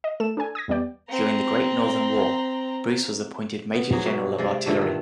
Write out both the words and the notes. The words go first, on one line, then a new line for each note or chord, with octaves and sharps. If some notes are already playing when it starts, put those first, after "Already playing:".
During the Great Northern War Bruce was appointed major-general of artillery.
D#5
A3 A4 E7
D4 A4 G#5
D#6 G#6 A#6
E2 G3 B3 D5 G5
C4 A#5
B3
G#2 F#3 G#4
B2
C3 G#3 D5
G2 A#2 D3 A3
D#3